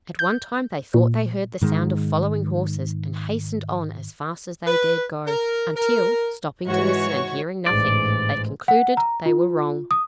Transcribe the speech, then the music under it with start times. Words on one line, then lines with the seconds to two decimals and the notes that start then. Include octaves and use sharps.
At one time they thought they heard the sound of following horses, and hastened on as fast as they dared go, until, stopping to listen and hearing nothing, they concluded they were wrong.
0.19 G6
0.94 A#2
1.61 G#2 D#3 G#3
4.66 B4
5.26 A#4
5.75 A#4
6.66 G#2 E3 F#4 C#5 C#6
7.66 A1 G#2 D5
8.68 F#5
8.97 A#5
9.26 F4
9.91 D#6